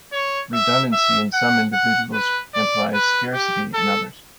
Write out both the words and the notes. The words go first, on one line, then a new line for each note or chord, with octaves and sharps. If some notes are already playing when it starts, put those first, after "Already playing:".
Redundancy in some individuals implies scarcity in others.
C#5
E5
E5
F#5
F#5
B4
D5
B4
G4
A4